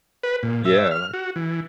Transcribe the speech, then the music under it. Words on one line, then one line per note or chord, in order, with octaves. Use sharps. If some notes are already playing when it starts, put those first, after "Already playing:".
Yeah, like
B4
A#2
E5
F6
F#4
E3